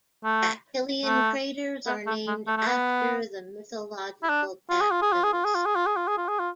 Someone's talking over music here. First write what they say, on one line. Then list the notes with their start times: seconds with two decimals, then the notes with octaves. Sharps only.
Dactylian craters are named after the mythological Dactyls.
0.24 A3
1.06 A3
1.86 B3
2.07 A3
2.27 G#3
2.47 A3
2.58 A3
2.67 B3
4.23 E4
4.29 D4
4.70 F4
4.81 G#4
4.91 F4
5.02 G#4
5.12 F4
5.23 G#4
5.33 F4
5.45 G#4
5.55 F4
5.65 G#4
5.76 F4
5.86 G#4
5.96 F4
6.08 G#4
6.18 F4
6.28 G#4
6.39 F4